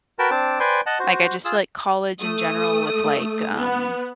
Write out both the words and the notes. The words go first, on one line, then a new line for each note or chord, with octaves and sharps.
Like, I just feel like college in general with, like, um,
F#4 A#4 B4 G5 A5
C4 D4 C5 A5 D6
B4 C5 D5 G5 G#5 C6
D#5 F#5 A5
F#4 C5
F4 G#4 E6
A3 D#6
B3